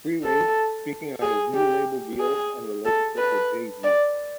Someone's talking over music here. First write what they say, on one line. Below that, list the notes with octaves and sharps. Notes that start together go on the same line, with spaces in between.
Freeway, speaking on his new label deal and relationship with Jay-Z.
A4
G#4
G4
G#4
A4
B4
D5